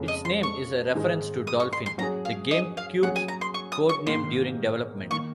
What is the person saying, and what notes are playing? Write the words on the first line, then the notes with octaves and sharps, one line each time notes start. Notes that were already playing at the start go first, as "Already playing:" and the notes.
Its name is a reference to Dolphin, the GameCube's codename during development.
Already playing: F2 C#3 G#3
D#5
C6
C#6
G#2 D#3 G#3 D#4
D#6
C#6
C6
C6
F#3 C#4 G#4 A#5
F5
D#5
F5
F#3 C#4 G#4 F#5
G#5
A#5
C6
C#6
D#6
C#6
G#2 D#3 A#3 C6
D#3 A#3 C#6